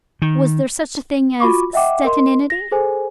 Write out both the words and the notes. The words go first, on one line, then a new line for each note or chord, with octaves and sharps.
Was there such a thing as Stettininity?
D#3
F4 F#4 B5 C#6 D6
D#5 E5 F#5 G5 D6
A#4 D#5 C6
A#6
G#4 A4 C5 G#5